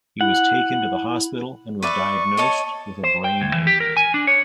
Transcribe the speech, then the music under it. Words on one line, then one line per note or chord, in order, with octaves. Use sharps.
He was taken to the hospital and was diagnosed with a brain aneurysm.
E4 F#5
B4 D5 E5 C#6
C#5 D#5 A5
C5
G5
D2
E3
G4
A#4
G#5
D4
C#5